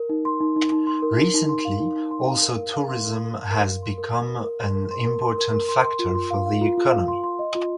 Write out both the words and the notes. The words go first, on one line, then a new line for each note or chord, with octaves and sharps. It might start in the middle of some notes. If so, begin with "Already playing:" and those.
Recently, also tourism has become an important factor for the economy.
Already playing: A#4
D#4
C6
D#4
D#4
D#4
C6
A#4
A#4
D#4
C6
F5
D#4
D#4
C6
F5
A#4
A#4
F5
C6
A#4
F5
A#4
A#4
F5
C6
A#4
A#4
A#4
A#4
C6
A#4
C6
A#4
C6
A#4
A#4
C6
C6
F4
C6
F5
F5
F4
F4
F5
C6
C6
D#5
F4